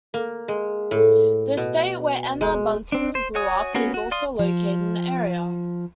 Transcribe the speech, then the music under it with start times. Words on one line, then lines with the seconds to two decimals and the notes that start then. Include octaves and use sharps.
The estate where Emma Bunton grew up is also located in the area.
0.14 A#3
0.48 G#3
0.91 A2
1.57 B2
2.41 G#3
2.92 C4 D4
3.15 C5
3.35 F#4 C#5 G#5 D#6
3.75 A#3 B3 C#4 F#4 G#4
3.94 F#4
4.11 D5 F5 C6 D#6
4.39 F3